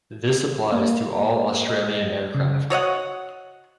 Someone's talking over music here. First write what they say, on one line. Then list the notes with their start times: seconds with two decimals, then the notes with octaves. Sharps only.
This applies to all Australian aircraft.
0.72 A#3
1.68 D#5
2.34 C#3
2.70 F#4 C#5 D#5 F#5